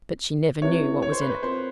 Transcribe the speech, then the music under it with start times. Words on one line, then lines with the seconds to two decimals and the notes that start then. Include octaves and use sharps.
But she never knew what was in it.
0.62 C4 E4 G4 B4 C#5 E5
1.02 C#5
1.12 C5
1.22 B4
1.30 C5
1.43 C4 F4 A#4 C5